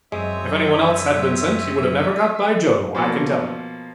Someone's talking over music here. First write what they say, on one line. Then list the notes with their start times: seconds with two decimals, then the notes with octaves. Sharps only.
If anyone else had been sent, he would have never got by Joe, I can tell you.
0.12 F#2 G#3 C4 C#5 E5 D#6
2.95 B2 F3 A#3